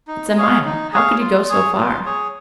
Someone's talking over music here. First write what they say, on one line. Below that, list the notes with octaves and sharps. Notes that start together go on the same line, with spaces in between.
"It's a mile, how could you go so far?"
D#4
G#4 C#5 F5
D#4
G#4 C#5 F5
F4
G#4 C#5
F4
G#4 C#5